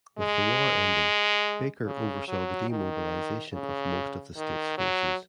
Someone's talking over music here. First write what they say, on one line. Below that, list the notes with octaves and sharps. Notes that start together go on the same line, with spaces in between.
With the war ending, Baker oversaw the demobilization of most of the state's forces.
G#3
C#3
F#3
D#3
C#3
D#3
F#3